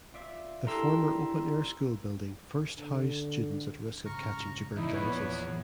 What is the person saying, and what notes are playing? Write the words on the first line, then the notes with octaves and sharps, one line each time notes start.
The former open air school building first housed students at risk of catching tuberculosis.
F4 D5 E5
D4 E4 G4 A4 A#4 A#5 C6 E6
D3
G#2 C#3 A#5 C#6 F6
E2 D#4 E4
A#2 F3 B3 B4 C#5